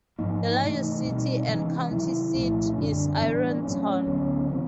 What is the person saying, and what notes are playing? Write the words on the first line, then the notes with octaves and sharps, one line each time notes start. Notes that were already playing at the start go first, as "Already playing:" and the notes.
The largest city and county seat is Ironton.
G#2 F3 A#3 D#4
C3 E3 A3
B2 G3 C4
C3 E3 G#3 C#4
C3 D#3 F#3 E4
C2 A#2 F3 A3
C#4
F#2 D3 G3 C4 D4
A2 E3 G3 B3
A2 F#3 A3 C4 C#4
D2 D3 F#3 B3
C#3 E3 C4